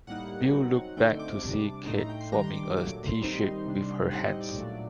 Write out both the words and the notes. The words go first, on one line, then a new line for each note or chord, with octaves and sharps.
Bill looked back to see Kate forming a T-shape with her hands.
A2 G3 A#3 D#4 F#5
F#3 C4 D#4
D3 A3 C4 D#4 G5
D6
C3 G3 D4
A2 A3 D#4 C6
A#5
G5
C6
D#3 G3 D4 A#5
C6
D6
D6
A#2 F#3 A3 D6
C6
D#3 G3 C4 D#4
C3 G3 D4
A2 G3 C4 D#4 F#5
D#5
D5
A#2 F#3 A3 D4